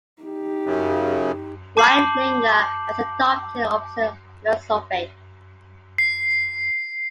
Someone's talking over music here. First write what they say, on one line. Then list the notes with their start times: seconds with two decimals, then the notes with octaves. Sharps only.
Riedlinger has adopted the opposite philosophy.
0.23 D#4 G4
0.65 F#2 C#3
1.77 A5 D6 G6 C7 F#7
5.98 C7